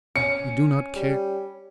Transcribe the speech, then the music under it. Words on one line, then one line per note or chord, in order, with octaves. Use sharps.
We do not care.
C#4 C#7
G3